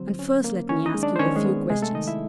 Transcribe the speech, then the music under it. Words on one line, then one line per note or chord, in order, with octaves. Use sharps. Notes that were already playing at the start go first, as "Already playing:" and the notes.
And first let me ask you a few questions.
Already playing: D3 F#3 C4 C5
C#4
A#3
D#3 C#4 C#5
D#4 D#5
G#3
D4 D5
C5
D#3 C#4 C#5
G#3 G#4
B3
C3 G#3 G#4
A3 A4
D#3 D#4 D#5
E4 E5